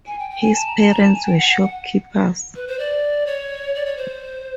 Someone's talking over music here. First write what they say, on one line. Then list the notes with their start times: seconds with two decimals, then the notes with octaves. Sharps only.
His parents were shopkeepers.
0.06 G#5
0.19 G5
0.30 G5
0.42 G#5
0.53 A5
0.66 A#5
0.77 A5
0.90 A#5
1.01 A5
1.13 G#5
1.25 G5
1.37 F#5
1.49 F#5
1.61 F#5
2.55 B4
2.67 C5
2.78 D5
3.26 C#5
3.74 D5
3.85 C#5
3.96 C5